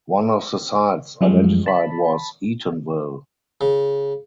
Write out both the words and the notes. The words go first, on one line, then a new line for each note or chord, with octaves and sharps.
One of the sites identified was Eatonville.
F#2 F3 G3 G#3
A5 B5
C#3